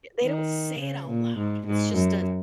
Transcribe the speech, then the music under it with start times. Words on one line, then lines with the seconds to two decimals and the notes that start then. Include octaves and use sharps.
Yeah, they don't say it out loud, it's just a
0.23 D#3
0.80 C#3
1.09 A#2
1.38 G#2
1.67 G#2
1.95 F#2